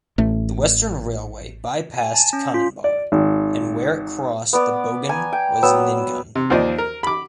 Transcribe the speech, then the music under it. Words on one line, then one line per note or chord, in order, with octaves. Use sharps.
The Western Railway by-passed Canonbar, and where it crossed the Bogan was Nyngan.
A1 A3
G#5
A5
C#4
F4
D5
G#1
B3 D5
G#5 A#5
G5
F#3 B3 E6
C3
D#2 F3 C5 D5 D#5
A#4
B5 D6